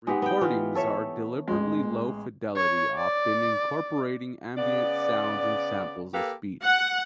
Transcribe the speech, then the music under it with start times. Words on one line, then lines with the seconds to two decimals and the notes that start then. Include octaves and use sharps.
Recordings are deliberately low fidelity, often incorporating ambient sounds and samples of speech.
0.07 G#3 B3 D#4 G4 F#5
0.22 B3 G5
0.41 E3 B3 F4
0.75 A4 C#5 E5
1.48 A1 G#3
2.56 C#5
2.96 D5
4.57 C#3 B3 D5
6.14 A#3 G4 A4 B4 F5
6.63 F#5